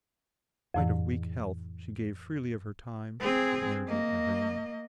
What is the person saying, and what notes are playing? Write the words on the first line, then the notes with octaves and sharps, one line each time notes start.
In spite of weak health she gave freely of her time, her energy and her money.
F2 A2 E3
C4 G#4
A#3 D#5